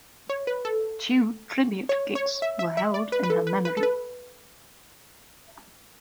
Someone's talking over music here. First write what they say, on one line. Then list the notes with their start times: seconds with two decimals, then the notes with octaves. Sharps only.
Two tribute gigs were held in her memory.
0.30 C#5
0.47 B4
0.65 A4
1.89 C#5
2.15 C#5
2.42 E5
2.59 E5
2.77 E5
2.94 D5
3.12 B4
3.23 B4
3.30 A4
3.47 B4
3.65 B4
3.77 A4
3.83 B4